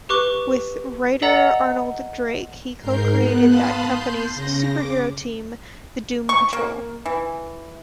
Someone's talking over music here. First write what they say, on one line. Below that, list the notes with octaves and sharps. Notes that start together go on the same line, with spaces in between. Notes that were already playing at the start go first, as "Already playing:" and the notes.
With writer Arnold Drake, he co-created that company's superhero team the Doom Patrol.
G4 B4 C#6 D6 F#6 G7
A4 D5 D#5 F#5 A#5 C#7
G#2 A#4 G6 C7
B3 F#6
F5 A5 B5 C6 D#6 F#6
C6 G6
C#3 A#6
D6
C#6
A#3
E3